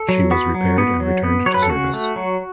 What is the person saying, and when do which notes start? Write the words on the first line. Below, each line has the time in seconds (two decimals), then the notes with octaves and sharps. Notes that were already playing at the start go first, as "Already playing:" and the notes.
She was repaired and returned to service.
Already playing: A4
0.09 F#3
0.31 B3 F#4
0.54 F#3
0.78 B3
1.00 F#3
1.23 B3
1.46 F#3 C#5
1.54 B4
1.62 A4
1.69 C#3 F#4
1.94 A3
2.16 F#3